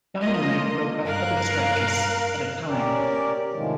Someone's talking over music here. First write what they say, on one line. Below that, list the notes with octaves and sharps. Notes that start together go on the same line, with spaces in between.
Dynamite broke up other stretches, at a time.
A#3 F4 D#5
G2 A#4 F5 F#6
C#4 G4 A#4 D5
A2 C3 D#3 F3 G#3